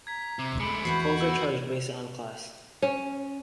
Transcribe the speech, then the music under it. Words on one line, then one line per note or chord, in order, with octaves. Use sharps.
Tolls are charged based on class.
A#5 G#6 B6
C3
G#3 A3 B5 C#7 D7 F#7
E2 B3 F#4 F#5 G6 C7
B5 E6 F#7
C#4